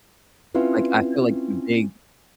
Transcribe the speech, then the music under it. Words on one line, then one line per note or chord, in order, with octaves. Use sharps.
like, I feel like the big
C4 C#4 E4 F4 B4